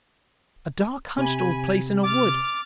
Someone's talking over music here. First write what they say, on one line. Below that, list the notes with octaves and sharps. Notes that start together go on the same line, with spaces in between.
A dark hunched old place in a wood.
C3 G#5 B5
D6 F6 A6